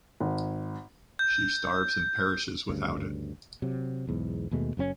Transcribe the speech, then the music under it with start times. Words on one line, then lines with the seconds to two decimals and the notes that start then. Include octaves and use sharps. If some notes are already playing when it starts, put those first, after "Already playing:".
She starves and perishes without it.
0.20 G#1
1.19 G6
2.69 D2 G2 C#3
3.62 C3 F#3
4.07 B1 E2 G#2
4.51 D#2 B2 G#3 A3
4.77 F#1 F#2 A#2 C#4